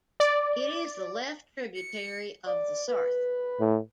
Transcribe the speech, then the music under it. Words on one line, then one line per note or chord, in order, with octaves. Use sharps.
It is a left tributary of the Sarthe.
D5
C#7
D5
B4
A2